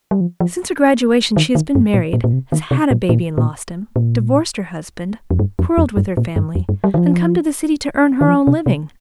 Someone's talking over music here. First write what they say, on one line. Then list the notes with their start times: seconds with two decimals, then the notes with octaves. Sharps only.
Since her graduation she has been married, has had a baby and lost him, divorced her husband, quarreled with her family, and come to the city to earn her own living.
0.11 G3
0.21 F3
0.40 F3
1.36 D#3
1.55 D#3
1.75 G2
1.94 A#2
2.13 A#2
2.24 A#2
2.33 C3
2.52 D#3
2.71 C3
2.91 A#2
3.09 A#2
3.38 A#2
3.96 A#2
5.31 F2
5.39 G2
5.59 F2
5.78 F2
5.97 G2
6.17 A#2
6.36 G2
6.55 F2
6.69 G2
6.84 G3
6.94 D#3
6.98 F3
8.21 D#3
8.28 F3
8.47 C3
8.66 C3